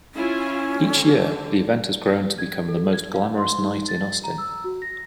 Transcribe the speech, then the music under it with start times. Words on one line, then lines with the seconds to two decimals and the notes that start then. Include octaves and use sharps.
Each year, the event has grown to become the most glamorous night in Austin.
0.15 C#4 E4 F4 G#5
0.79 D3
2.38 G#6
2.68 A4
2.93 G#6
3.14 F5
3.38 C6
3.59 D#4
3.89 A6
4.24 A#5
4.38 E6
4.64 F#4
4.82 A#6